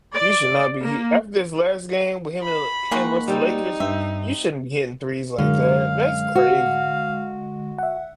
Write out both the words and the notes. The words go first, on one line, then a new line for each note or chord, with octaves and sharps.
You should not be he after this last game with him and the l him versus the Lakers, you shouldn't be hitting threes like that. That's crazy.
D5
A#3
B5
D#3 G#3 A#3 F#4
G3 C4 D#4
G2 C4 E5
F#2 D3 G#3 F5
F#4
E5 F#5